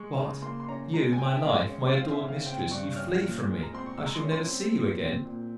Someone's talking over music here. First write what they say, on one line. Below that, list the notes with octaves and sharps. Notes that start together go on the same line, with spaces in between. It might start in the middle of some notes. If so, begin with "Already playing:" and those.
What! you, my life, my adored mistress, you flee from me; I shall never see you again?
Already playing: G#3 C#6
C#3
A#3 C6
C6
C#4 A#5
G#3 A#5
G#5
C4 G5
E5
G#3 F5
C#4
C4 F5
F5
E5
C#3
F5
C4 G5
G2 C#6
C#4 F6
A#2
G#3
A#5
C4 C6
C#6
G#3 E6
A#5
C6
C#4
C6
C4
A#2
C4
A#2